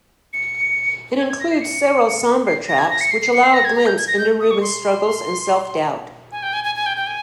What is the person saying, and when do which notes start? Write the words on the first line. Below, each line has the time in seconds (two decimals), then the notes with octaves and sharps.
It includes several somber tracks which allow a glimpse into Reuben's struggles and self-doubt.
0.33 C#7
1.19 G#6
1.29 G#6
1.40 A#6
1.51 C7
1.61 C#7
2.47 C7
2.68 A#6
2.79 G#6
2.90 A#6
3.01 C#7
3.11 C7
3.22 C7
3.33 C#7
3.43 C7
3.54 A#6
3.65 G#6
3.76 A#5
3.86 G6
3.97 G#6
4.07 A#6
4.18 G6
4.40 D#6
4.51 C#6
4.61 C6
6.32 G#5
6.43 G5
6.53 G#5
6.64 G#5
6.75 G#5
6.86 G5
6.97 G5
7.07 G#5